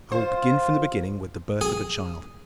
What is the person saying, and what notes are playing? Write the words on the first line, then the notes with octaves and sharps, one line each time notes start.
I will begin from the beginning with the birth of a child.
F4 C5
G#4